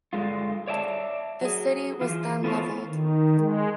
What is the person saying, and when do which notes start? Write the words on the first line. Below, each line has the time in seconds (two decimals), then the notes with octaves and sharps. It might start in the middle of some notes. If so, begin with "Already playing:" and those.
The city was then leveled.
0.13 G2 A#2 D3 G#3 F4
0.68 C#5 D5 E5 G5 A5
1.41 F#3 G#4
2.01 E3 F4
2.44 B3 E4 F4 A4 C5 C#5
2.86 D#3
3.37 G#3